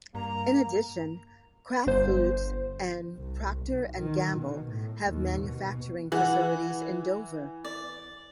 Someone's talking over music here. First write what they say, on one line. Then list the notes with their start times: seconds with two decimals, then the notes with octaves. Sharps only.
In addition, Kraft Foods and Procter and Gamble have manufacturing facilities in Dover.
0.15 G2 A#3 A#5
1.87 G1 C5
3.17 C2
3.66 B1
3.99 D#3
4.34 B2
4.70 A2
5.07 D#2
5.41 B2
6.12 E3 F#5
7.64 D5